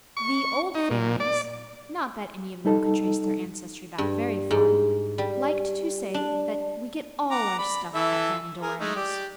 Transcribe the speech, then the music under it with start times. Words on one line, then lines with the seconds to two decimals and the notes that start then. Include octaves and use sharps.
The "old" families--not that any of them could trace their ancestry back very far--liked to say that "we get all our stuff at Van Doren's."
0.17 C#6
0.75 D#4
0.91 A#2
1.20 D5
2.65 G3 D#4 A4
3.98 G2
4.51 G#2
5.18 G3
6.14 D4
7.31 F#5 A#5 D6
7.59 D5 B5
7.95 E3 A4 E5
8.62 G#4 A#4
8.80 G#3 A3 D#4
8.96 G4 D5